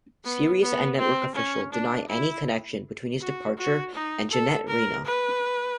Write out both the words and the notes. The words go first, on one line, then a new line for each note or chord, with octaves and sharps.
Series and network officials deny any connection between his departure and Janet Reno.
B3
B3
C4
C#4
D4
E4
F#4
F#4
D#4
A4
A#4
B4